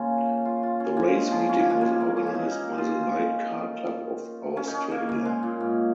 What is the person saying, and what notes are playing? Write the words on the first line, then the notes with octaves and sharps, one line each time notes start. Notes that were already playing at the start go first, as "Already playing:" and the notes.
The race meeting was organised by the Light Car Club of Australia.
Already playing: C#3 A#3 C#4 F4
F4
F4
C#4
A#3
G#3
F3
C#4
A#3
G#3
A#3
A#3
C#4
C#4
D#4
D#4
F4
D#4
C#4
D#4
C#4
A#3
A#3
G#3
A#2
G#2